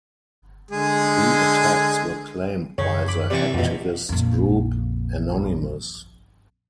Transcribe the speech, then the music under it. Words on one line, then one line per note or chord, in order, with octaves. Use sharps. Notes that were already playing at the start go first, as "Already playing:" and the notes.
The attacks were claimed by the hacktivist group Anonymous.
D3 G#3 G#4
F#2 C#3 F3 C#5
B5 D6
C3 E3 D5 C#6
A#1 F2 B2
A#1 F2